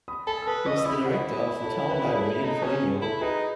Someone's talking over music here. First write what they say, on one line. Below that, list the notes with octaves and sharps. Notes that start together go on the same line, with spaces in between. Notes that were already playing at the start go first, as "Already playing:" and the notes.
He was the director of the Town Library in Foligno.
B5 D#6
A4 G#5 B5
E6
B4 B5 D#6
D#5 C#6 E6
E6
E4 B5 D#6
D#5 F#5
A4 C#5
B4
C#5
G#4 B4
A4
D#4 A4
C#4 G#4
G#4
E4 A4
D#4 G#4 B4